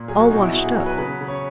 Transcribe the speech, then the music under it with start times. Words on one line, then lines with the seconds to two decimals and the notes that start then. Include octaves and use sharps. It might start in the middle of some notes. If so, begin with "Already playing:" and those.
All washed-up!
Already playing: A#2
0.08 F#3 G#4
0.20 F#4
0.30 B2 D#4
0.42 E4
0.53 B2 F#4
0.64 G#4
0.75 F#3
0.86 B4
0.98 C#3 B4
1.21 C#3
1.28 C#5